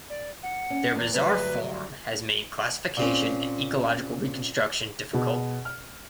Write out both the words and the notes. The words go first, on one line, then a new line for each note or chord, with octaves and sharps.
Their bizarre form has made classification and ecological reconstruction difficult.
D5
F#5
C#4
E2
D2 G2 F#3 B4
A#2 C4 C#4
B2 G#4
F6